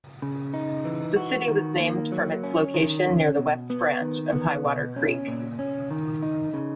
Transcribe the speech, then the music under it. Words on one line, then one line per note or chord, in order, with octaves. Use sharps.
The city was named from its location near the west branch of Highwater Creek.
C#3
D#4
E3
F#4
D#3
A#3
F#3
C#4
D#3
C#4
B2
B3
D#3
B3
B2
C#4
A#2
C#4
D#3
D#4
C#3